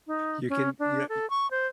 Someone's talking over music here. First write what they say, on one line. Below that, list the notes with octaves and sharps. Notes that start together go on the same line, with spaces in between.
you can, you know y
D#4
C#4
D4
A4
C#6
C5